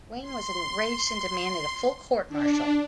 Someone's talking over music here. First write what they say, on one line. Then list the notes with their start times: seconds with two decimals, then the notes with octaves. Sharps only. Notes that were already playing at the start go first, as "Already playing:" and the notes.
Wayne was enraged and demanded a full court-martial.
0.21 C6
2.28 D4